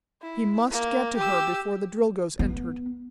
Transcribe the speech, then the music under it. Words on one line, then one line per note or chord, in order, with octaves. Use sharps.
He must get to her before the Drilgoes entered.
E4
A#3
G4 E6
B3